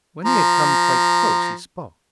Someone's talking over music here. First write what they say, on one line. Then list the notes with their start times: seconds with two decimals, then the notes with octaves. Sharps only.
When he had come quite close he spoke.
0.25 F3 A#5